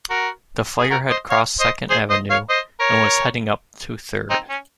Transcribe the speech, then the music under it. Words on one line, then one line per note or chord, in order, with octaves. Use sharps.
The fire had crossed Second Avenue, and was heading up to Third.
F#4 A#4
G#4
F#4 A#4
C5 D#5
C#5 F5
C5 D#5
G#4 C5
C5 D#5
C#5 F5
C5 D#5
A#4 C#5
C4 D#4
C#4